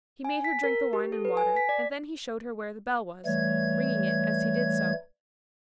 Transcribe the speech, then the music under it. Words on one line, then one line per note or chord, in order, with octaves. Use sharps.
He made her drink the wine and water, and then he showed her where the bell was, ringing it as he did so.
G#5
B6
A#4
G4
A4
B4
G#5
B6
D5
E3 G3 A3 C#5 G#6